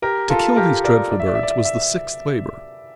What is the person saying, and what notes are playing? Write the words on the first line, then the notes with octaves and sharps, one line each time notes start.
To kill these dreadful birds was the sixth labor.
G4 A#4
F4 A4
G4 A#4
A#4 D5
D5
E5
D5
E5
D5
E5
D5
E5